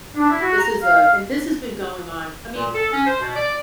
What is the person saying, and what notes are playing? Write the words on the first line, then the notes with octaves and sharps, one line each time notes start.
this is a and this has been going on I mean,
D4
E4
F#4
A#5
F5
A#2
A4
C#4
C5
B2
D5